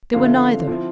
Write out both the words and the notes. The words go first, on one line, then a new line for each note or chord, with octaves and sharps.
They were neither.
D3 F3 C4 F5
E5
F5
F3 C4 E4